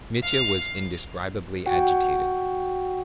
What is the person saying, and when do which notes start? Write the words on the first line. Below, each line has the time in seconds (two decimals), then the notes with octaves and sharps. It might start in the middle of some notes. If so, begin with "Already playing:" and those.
Mitya was indescribably agitated.
0.23 F5
1.66 F#4 F#5 G5